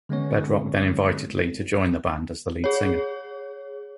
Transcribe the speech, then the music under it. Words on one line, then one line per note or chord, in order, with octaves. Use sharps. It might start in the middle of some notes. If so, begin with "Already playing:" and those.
Bedrock then invited Lee to join the band as the lead singer.
D3 G#3 A3 B3 C#4 C#5
G#4 C#5